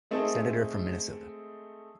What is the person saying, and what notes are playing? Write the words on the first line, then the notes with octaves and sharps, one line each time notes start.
Senator from Minnesota.
G#3 A3 C4 D#4 G#4 A4